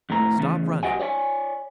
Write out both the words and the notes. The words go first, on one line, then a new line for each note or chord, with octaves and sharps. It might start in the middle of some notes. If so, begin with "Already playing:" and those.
Stop running.
F2 A2 A#5
E2 C#3
F#4 G4 D#5 F#5 G#5
C#5 D5 G5 G#5